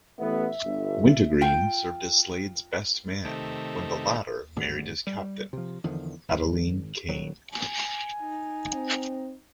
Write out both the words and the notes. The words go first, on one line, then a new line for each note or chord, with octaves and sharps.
Wintergreen served as Slade's best man when the latter married his captain, Adeline Kane.
A1 A3 B3 E5
G1
F4 G5
C3 D#3 A3
G#1 D2 G2 D3
G3
C3 F3
E2 D3 D#3 F3
G#1
D#1 D#3 F#3
G#5
D#4
C4